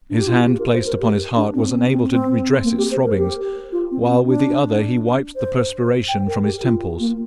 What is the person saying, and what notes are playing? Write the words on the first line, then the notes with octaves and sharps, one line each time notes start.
His hand placed upon his heart was unable to redress its throbbings, while, with the other he wiped the perspiration from his temples.
D4
G4
F4
G4
A#4
C5
A#4
G4
D4
C4
C4
C4
C4
A#3
G4
C5
A#4
G4
F4
C4
C4
D4
C5
G5
A#4
G4
F4
A#3